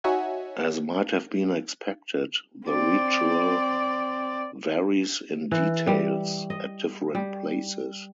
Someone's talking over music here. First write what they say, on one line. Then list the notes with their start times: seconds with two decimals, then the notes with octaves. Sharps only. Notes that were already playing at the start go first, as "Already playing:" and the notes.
As might have been expected, the ritual varies in details at different places.
0.04 D#4 F#4 C#5 E5 F#5 G#5
2.66 C4 D5
5.52 E3
5.87 G3
6.50 D#5
7.15 G3